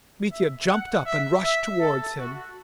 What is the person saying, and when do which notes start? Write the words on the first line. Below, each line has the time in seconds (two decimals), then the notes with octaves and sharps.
Mitya jumped up and rushed towards him.
0.32 E5
0.68 F#5
1.06 E5
1.44 E5
1.80 A4
2.18 F#4